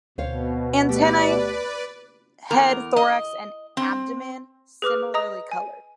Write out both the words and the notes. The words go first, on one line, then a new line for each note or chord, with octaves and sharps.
Antennae, head, thorax and abdomen similarly coloured.
D2 B2 C5 C#5 F5
A3 G4 B4 D5
E2 A#4
D#5
C4
G#4 B4 D6 F6
D#5 A#5 D#6
G#5